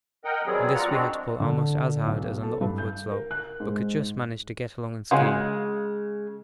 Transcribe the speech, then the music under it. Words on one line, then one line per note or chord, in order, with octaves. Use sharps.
On this we had to pull almost as hard as on the upward slope, but could just manage to get along on ski.
A#4 D#5 F#5 G5
D#3 F#3 G3 B3 C4 G#4
F#3 F4 D5 F#5 A#5
G#3 C4 D4 F#4
D3
B1
A4
G2
G6
A#4
F#6
G#2
C#3 G#3 C#4 F4 F#4